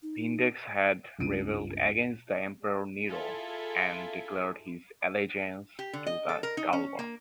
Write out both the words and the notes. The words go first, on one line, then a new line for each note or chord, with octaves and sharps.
Vindex had rebelled against the Emperor Nero and declared his allegiance to Galba.
D#4
G1 C#2 D7 D#7
E4 F4 G#4 A4 E5
G4
D3
D#5
A4
A#4
D#4
C#4
A#3